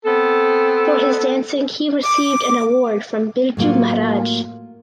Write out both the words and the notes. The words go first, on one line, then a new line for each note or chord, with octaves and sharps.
For his dancing he received an award from Birju Maharaj.
B3 C4 A4
D6
A2 F#3 A#3 F4